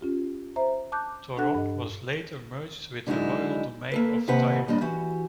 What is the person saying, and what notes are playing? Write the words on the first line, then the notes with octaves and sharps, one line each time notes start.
Toron was later merged with the royal domain of Tyre.
C#4 F4 G4
C5 E5 A#5
A5 D6 F#6 G6
D4 A4 F#5 F#6
G2 D#5
D3 F#3 G#3 D#4 E4
A#3 A4 B4
D#2 C3 G4 B4 F#5
D#2 A#2 G3 D4 D#5
E3 F#4 G4